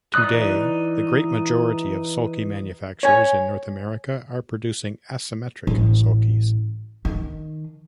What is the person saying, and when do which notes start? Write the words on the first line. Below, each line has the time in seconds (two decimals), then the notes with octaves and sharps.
Today the great majority of sulky manufacturers in North America are producing asymmetric sulkies.
0.14 E3 D#4 D5 D#6 F#6
3.03 C#5 G#5
5.67 A1
7.05 D#3